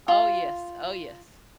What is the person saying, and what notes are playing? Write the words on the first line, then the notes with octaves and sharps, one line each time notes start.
Oh, yes. Oh, yes.
F4